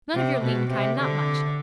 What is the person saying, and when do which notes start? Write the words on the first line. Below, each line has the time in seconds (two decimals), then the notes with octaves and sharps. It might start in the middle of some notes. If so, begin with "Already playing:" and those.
None of your lean kine, not much.
0.15 C3
0.43 B2
0.71 C3
0.99 D3